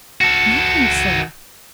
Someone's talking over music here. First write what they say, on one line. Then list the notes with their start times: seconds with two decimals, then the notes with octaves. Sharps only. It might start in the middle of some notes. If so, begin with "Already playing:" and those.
"Nothing, sir."
0.21 F#4 A4